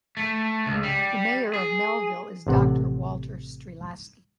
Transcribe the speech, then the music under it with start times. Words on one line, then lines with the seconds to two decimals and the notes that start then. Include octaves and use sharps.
The mayor of Melville is Doctor Walter Streelasky.
0.17 A3
0.66 C#2
0.83 G3
1.54 G#4
2.47 A1 C3 F#5